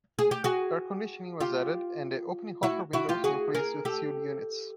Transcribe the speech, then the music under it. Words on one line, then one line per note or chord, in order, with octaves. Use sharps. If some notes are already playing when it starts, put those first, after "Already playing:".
Air conditioning was added and the opening hopper windows replaced with sealed units.
G#4
G4
F#4 G#4
F4 G4
E4 F#4
E4 F#4
F4 G4
F#4 G#4
G#4 A#4
G4 A4